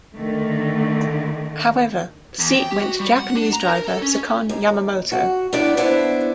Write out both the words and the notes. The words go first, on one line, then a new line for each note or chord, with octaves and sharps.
However, the seat went to Japanese driver Sakon Yamamoto.
D3 D#3 A3
E2
G5
G4
F#4
G3
F#5
D4
A#5
A#4
A4
C#4
D#2
F#4
A2 B3 D4 D5
B3 D4 E4 C5